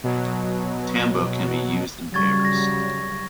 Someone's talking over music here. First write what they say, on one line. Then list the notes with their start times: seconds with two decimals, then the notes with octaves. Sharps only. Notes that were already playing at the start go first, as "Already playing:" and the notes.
Tambo can be used in pairs.
0.04 B2 F#3
2.14 C#3 F#3 G3 C#6 G#6 A6
2.45 A#6